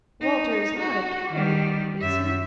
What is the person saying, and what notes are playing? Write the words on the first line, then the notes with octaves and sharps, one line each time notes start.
'Walter is not a coward, is he?'
D#4
F#4
D#3 G3
F#2 E5